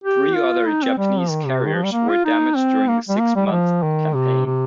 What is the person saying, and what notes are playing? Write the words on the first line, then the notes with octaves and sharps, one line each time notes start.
Three other Japanese carriers were damaged during the six-month campaign.
G4
F4
D#4
C4
G3
F3
D#3
C3
D#3
F3
G3
A#3
F4
D#4
C4
A#3
G3
A#3
G3
G3
F3
D#3
C3
C3